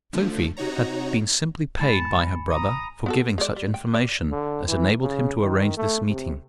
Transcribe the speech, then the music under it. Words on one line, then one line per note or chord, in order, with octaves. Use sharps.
Sophie had been simply paid by her brother for giving such information as enabled him to arrange this meeting.
D3 F3 A3
C3 D#4 F#4 C#5 A#5
G#2 G#5 A5 B5 C#7
A1 A#5 D#6
B3 F#4 A4
G#3 D5
G3
G5
D5
D3
E3
C#3
D#3
A3
C3